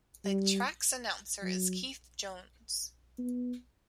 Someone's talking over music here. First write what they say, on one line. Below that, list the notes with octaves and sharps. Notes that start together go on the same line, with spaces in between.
The track's announcer is Keith Jones.
G3
F#3
B3